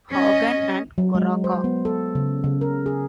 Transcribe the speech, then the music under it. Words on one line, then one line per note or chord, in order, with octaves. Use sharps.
Hagen and Goroka.
C#4 D#5
F#3
G#3
C5
B3
A4
C#3
C#3
A#4
G#4